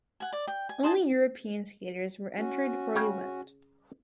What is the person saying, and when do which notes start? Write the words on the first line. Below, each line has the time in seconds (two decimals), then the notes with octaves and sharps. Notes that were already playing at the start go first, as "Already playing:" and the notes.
Only European skaters were entered for the event.
0.20 F#5 G#5
0.32 D5
0.47 G5
0.69 G#5
0.83 G#4 C5 D#5 A5
2.37 C#4 F#4
2.95 C#3 C#5 G5